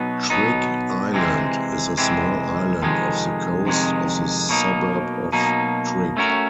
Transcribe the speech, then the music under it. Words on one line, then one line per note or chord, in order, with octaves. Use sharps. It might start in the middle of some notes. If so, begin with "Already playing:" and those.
Trigg Island is a small island off the coast of the suburb of Trigg.
Already playing: B2 F#3 B3 D#4
B2 F#3 B3 D#4
C3 E3 G#3 C4
C3 E3 G#3 C4
F2 C3 D#3 G#3
F2 C3 D#3 G#3
B2 F#3 A#3 D#4
B2 F#3 A#3 D#4
A3 C#4 F#4 A#4